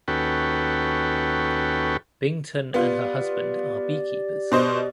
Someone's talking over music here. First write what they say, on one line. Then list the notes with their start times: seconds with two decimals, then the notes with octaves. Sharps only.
Byington and her husband are beekeepers.
0.08 D#2 C#4 F#4 A4 B4 G5
2.74 B3 F4 G4 D5
4.52 B2 C5 D#5